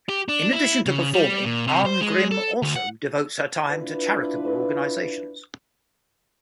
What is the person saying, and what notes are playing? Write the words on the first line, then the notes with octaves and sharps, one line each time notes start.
In addition to performing, Arngrim also devotes her time to charitable organizations.
G4
D4
E4
C#3
G3
A#2
C3
C5
G#3
A4
D2
F#5
D4 E4 F4 B4